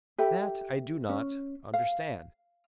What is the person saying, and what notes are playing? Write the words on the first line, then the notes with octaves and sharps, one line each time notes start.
That I do not... understand.
G4 A4 E5 B5
C#4
F5